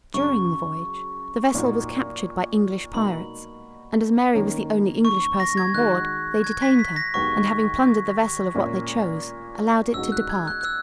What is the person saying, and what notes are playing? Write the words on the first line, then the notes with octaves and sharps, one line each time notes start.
During the voyage, the vessel was captured by English pirates, and as Mary was the only English person on board, they detained her, and having plundered the vessel of what they chose, allowed it to depart.
F#2 C#3 F#3 C#6
A#2 A#3 D#4 F#4
B2 A#3 D#4 B5
D#3 A#3 C#4
C#6
A#6
G#6
D#3 G#3 D#4 F#4 F#6
G#6
B6
B6
A#6
D#2 D#3 G#3 B3 F#4 C#6
A#2 A#3 C#4
C#2 B2 G#3 D#4 F#4 E6
F#6
G#6
F#6
F#6
E6